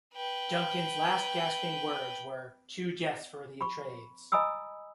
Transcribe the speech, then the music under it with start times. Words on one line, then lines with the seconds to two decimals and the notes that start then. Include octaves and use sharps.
Duncan's last gasping words were, Two deaths for the Atreides.
0.14 B4 G5
3.61 B5 C#6
4.32 D#5 G#5 A#5 B5 D#6 E6